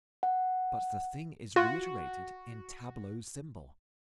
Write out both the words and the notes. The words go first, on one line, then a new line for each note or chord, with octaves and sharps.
But the thing is reiterated in tableau-symbol.
F#5
F4 F#4